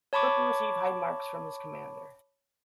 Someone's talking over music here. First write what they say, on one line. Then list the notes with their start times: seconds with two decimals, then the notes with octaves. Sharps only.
Flipper received high marks from his commander.
0.13 C#5 A5 B5 C#6 D6